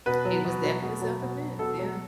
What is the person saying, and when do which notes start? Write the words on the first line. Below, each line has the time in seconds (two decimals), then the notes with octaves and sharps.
It was definitely self-defense. Yeah.
0.06 B2 B4
0.25 F#3
0.44 B2
0.64 F#3
0.82 B2
1.01 F#3
1.21 B2
1.40 F#3
1.59 B2 A4
1.78 F#3